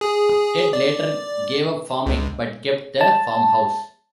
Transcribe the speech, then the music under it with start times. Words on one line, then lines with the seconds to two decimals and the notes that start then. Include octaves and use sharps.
Ted later gave up farming, but kept the farmhouse.
0.01 G#4
0.73 D5
2.06 C#2
3.01 A5